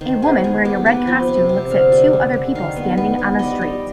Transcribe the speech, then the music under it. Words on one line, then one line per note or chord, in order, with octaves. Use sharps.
A woman wearing a red costume looks at two other people standing on a street.
D#3 C5
B3 G#4
D#3 G#4
B3 G4
B3 B4
F3
C3
C3
D3 F5
G3
G3
D3
D#3 F5
B3
B3
B3
G3 D#5
G3